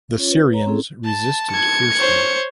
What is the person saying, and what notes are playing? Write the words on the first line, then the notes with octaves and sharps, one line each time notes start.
The Syrians resisted fiercely.
C#4 F4 C#5
B4
C#5 A#5
C4 C#4 E4 G#4 A4
A5
G#6 C#7
C5 C#5